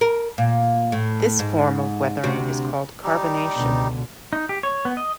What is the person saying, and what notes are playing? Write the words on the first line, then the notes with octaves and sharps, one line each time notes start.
This form of weathering is called carbonation.
A#4
A#2
A2
G#2
D2 C3 F#4
G3 D#4 G4
C#2 B2 D3
D#4
G4
C#5
B3
D#5